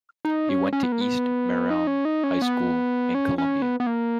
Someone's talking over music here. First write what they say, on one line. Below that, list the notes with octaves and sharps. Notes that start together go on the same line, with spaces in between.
He went to East Marion High School in Columbia.
D#4
C#4
C#4
B3
A#3
B3
D#4
C#4
D#4
C#4
B3
C#4
C#4
B3
B3
A#3